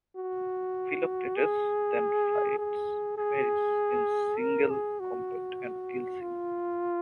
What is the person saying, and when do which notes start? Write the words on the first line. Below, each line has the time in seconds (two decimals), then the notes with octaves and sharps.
Philoctetes then fights Paris in single combat and kills him.
0.17 F#4
1.36 G#4
2.58 G#4
3.18 G#4
4.39 A#4
4.70 G#4
5.00 F#4
6.21 F4